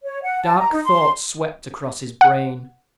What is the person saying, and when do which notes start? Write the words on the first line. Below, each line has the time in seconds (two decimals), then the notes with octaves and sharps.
Dark thoughts swept across his brain.
0.05 C#5
0.23 F#5
0.44 A5
0.57 A#5
0.72 D#4
0.85 C6
2.21 F#5